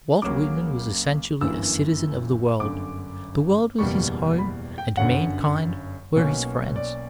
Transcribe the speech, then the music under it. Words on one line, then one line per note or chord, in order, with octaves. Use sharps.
Walt Whitman was essentially a citizen of the world: the world was his home and mankind were his friends.
C#2 C#3 F#3 A#3 D6
G1 F#2 E3 A#3 E6
G1 F#2 D3 D6
F#1 E2 B2 G3 A#3 C#6
B5
G5
G1 F#2 D3 F#3 F#5
B1 B2 A#3 C#4
D5